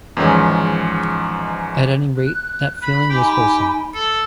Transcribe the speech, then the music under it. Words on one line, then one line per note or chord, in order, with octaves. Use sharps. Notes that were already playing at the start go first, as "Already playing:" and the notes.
At any rate that feeling was wholesome.
E2 G#2 D#3 F3 C#4
F#6
B5
D#4 G4 G#5 B5
A4